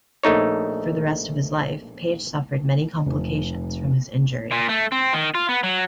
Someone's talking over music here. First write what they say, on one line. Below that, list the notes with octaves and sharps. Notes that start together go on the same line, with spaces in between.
For the rest of his life, Page suffered many complications from his injury.
A#1 A3 D#4 C#5
F1
A#2
A3
C4
D#3
F4
B3
F#3